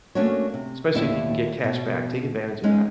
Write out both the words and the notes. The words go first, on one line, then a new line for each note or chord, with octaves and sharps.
especially if you can get cash back, take advantage of that.
A3 A#3 C#4 D4 F#4 C#5
C3
D#2 A2 E4 G4 D5 E5
B2
G#3 C#4 D#4